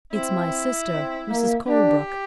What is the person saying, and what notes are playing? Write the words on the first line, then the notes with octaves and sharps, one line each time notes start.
It's my sister, Mrs. Colebrook.
C4 E4
C4
A#3
D4 G4